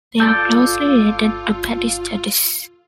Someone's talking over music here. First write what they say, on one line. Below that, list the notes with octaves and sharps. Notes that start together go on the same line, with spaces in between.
They are closely related to "Pachystachys".
F4 A4 D5 G6